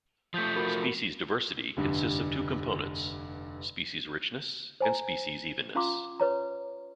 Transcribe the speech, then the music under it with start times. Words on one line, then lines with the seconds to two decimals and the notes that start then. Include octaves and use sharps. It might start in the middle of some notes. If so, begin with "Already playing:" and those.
Species diversity consists of two components: species richness and species evenness.
0.34 F3 A3 D#6 G6 B6
0.56 F#4 A#4 B5
1.77 F1 G2 D3
4.81 C5 G#5 A#5
5.75 C#4 F4 F5 A#5 C6 D6
6.20 B4 C#5 A#5